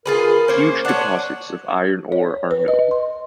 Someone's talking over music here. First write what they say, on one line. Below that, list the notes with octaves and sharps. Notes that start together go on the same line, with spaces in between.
Huge deposits of iron ore are known.
F4 G#4 A#4 B4
A#3 C#4 C5
C#4 D4 F#5
C#5
B4
D#5
C6